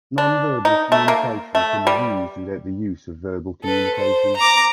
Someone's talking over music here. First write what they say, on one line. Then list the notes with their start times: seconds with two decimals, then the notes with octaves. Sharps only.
Nonverbal communication can be used without the use of verbal communication.
0.18 D4
0.65 D#4
0.92 A3
1.08 A#3
1.55 A3
1.87 G3
3.64 A4 B4
3.95 C5
4.37 A#5 D6